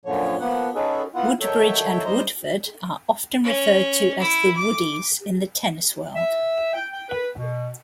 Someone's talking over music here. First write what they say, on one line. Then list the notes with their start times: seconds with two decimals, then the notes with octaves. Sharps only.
Woodbridge and Woodforde are often referred to as "The Woodies" in the tennis world.
0.05 F#2 A#2 D3 F3 C#5
0.40 F3 A#3 B3 F#5
0.75 C#4 D#4 F#4 G#4 A4 B4
1.15 B3 E4 F4 F#5
1.41 D#3 F#3 A4 C#5 E5 G5
2.05 G3 D#4 C5 A#5
3.44 C#4
4.20 E4
4.56 D6
6.16 E5
6.73 G5
6.92 G5
7.09 B4
7.37 B2